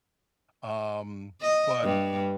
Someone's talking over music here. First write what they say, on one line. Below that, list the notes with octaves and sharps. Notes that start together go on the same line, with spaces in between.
um, but
D#5
G2